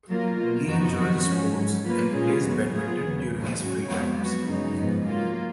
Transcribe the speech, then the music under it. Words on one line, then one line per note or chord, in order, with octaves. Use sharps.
He enjoys sports and plays badminton during his free times.
F#3 A#3 F4 A#4
B2 A#3 F4
F#2 F3 B3 D#4 F#4
F2 D#3 F#3 B3 F#4
G#2 F3 G#3 C#4
G#2 F#3 C#4
F#3 A#3 F4 B4
A#2 G#3 C#4 F4 G#4
D#2 D#3 F#3 B3 F#4
A#2 F#3 B3 F4 G#4
D#2 C#3 F#3 B3
G#2 F3 A#3
G#2 F#3 C#4 F#4 C#5
F2 F3 G#3 B3
F#3 B3 F#4
F#2 C#3 G#3 D#4
G#2 F3 B3
F#3 A#3 F4